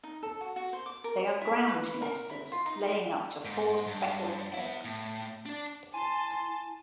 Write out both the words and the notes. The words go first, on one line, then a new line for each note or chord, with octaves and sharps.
They are ground nesters, laying up to four speckled eggs.
D#4
A4
F#4
F#4
C5
D6
A#4
E4
B4
A#4
E4
F4
D#4
G4
G#2
G2
B3 E4
A2
D4 D5
E4 G#5 A5 C6